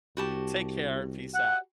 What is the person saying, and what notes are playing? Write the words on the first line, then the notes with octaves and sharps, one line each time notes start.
Take care and peace out.
C2 F#4 G4 A5
F#5